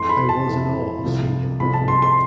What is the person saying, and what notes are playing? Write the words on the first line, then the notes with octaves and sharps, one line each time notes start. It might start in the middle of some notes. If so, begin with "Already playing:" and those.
I was in awe of seeing him perform.
Already playing: F2 E3 A3 E4 C6
B5
A5
F2 E3 A3 E4
C2 C3 F3 A3
C2 C3 F3 A3 B5
A5
C6
C6